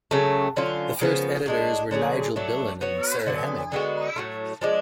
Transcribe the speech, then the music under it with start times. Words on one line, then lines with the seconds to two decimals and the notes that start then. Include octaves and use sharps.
The first editors were Nigel Billen and Sarah Hemming.
0.11 C#3 F#3 A3
0.56 D3 F#3 C#4 F4
1.01 C#3 F3 B3
1.46 A2 G#3 D4
1.91 D3 F#3 C#4 G#4
2.36 F#3 A3 D4
2.81 B3 F#4 C#5
3.26 D3 F#3 B3
3.72 D3 G#3 B3 F#4
4.16 A2 F#3 A3
4.61 F3 G#3 D4